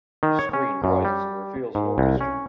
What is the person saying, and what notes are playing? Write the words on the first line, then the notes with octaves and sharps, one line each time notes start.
The screen rises and reveals an orchestra.
D#3
C#5
C#4
F#2
G3
G#2
C2
C#4